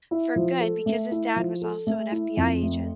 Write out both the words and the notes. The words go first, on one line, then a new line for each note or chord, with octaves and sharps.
for good because his dad was also an FBI agent,
E4
F3
A4
A3
E4
F3
A4
A3
E4
F2
A3